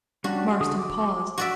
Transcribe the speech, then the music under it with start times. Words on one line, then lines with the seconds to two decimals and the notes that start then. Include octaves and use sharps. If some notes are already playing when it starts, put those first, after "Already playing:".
Marston paused.
0.24 G3 C#4 D4 F#4
0.61 D3 G#4 D#6
0.79 D6
1.38 F#4 D5 E5